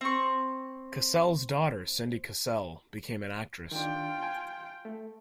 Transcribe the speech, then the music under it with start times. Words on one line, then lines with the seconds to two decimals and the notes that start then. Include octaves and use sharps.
Cassell's daughter, Cindy Cassell, became an actress.
0.01 C4 C#6
3.72 D#3 D4 F4 G5
4.23 G#5
4.85 A3